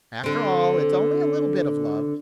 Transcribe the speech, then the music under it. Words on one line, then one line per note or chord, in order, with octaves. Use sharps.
After all, it's only a little bit of love.
D3 C4